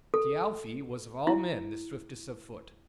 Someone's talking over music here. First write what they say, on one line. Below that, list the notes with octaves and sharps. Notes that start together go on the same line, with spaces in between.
Thialfi was of all men the swiftest of foot.
A4
E4